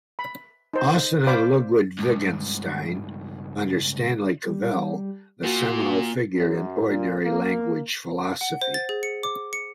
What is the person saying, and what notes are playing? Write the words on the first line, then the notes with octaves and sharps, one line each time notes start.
Austin and Ludwig Wittgenstein under Stanley Cavell, a seminal figure in ordinary language philosophy.
B5
D#4 C5
C5 D5 F5 B5 D6
C#2 G2
G3
A#2 F#4
F#2
A#2
A#3
F#5
C5
A6
G#4
C#7
D6
C#7